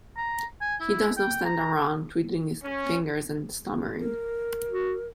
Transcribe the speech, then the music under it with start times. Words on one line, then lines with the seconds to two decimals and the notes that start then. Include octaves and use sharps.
He does not stand around, twiddling his fingers and stammering.
0.17 A#5
0.61 G#5
0.81 E4
1.17 G5
1.45 A#5
2.63 C#4
4.00 A#4
4.70 F#4